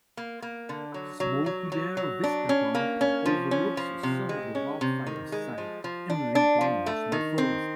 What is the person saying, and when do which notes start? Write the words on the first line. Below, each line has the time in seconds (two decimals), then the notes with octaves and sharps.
Smokey Bear Vista Point overlooks some of the wildfire's site in Lincoln National Forest.
0.17 A#3
0.42 A#3
0.69 D3
0.94 F#3
1.20 F#3
1.46 F#3
1.72 F#3
1.97 F#3
2.24 D4
2.49 C#4
2.75 A#3
3.01 C#4
3.26 F3
3.51 C#4
3.77 F3
4.03 C3
4.29 G#3
4.55 C#4
4.81 C3
5.07 D#3
5.32 G#3
5.58 F3
5.84 F3
6.10 D4
6.35 D4
6.61 F3
6.86 A3
7.12 D#3
7.38 C4